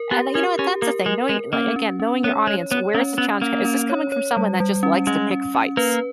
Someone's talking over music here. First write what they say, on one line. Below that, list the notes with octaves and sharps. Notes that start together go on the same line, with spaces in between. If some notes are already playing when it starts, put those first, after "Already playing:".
and then you know what, that's the thing, knowing li again, knowing your audience, where is the challenge c is this coming from someone that just likes to pick fights,
Already playing: A#4
B3 G4
C#4 A#4
C#4 G4
A#3 A#4
G#3 A#4
G#3 A#4
A#3 C#4
C#4
C#4
B3 C#5
G#3 C#5
B3 C#5
A#3 C#4
B3 C#4
A#3 C#4
C#4
C#5
C#5
G3
G3
C#4
G#3 C#4
C#4
C#4
A#3 B4